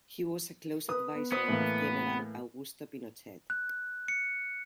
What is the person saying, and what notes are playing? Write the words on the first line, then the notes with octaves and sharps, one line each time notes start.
He was a close advisor of General Augusto Pinochet.
B4 D#6
B3
B3 C5 D#6
A2 E3 A#3
F#6
C#7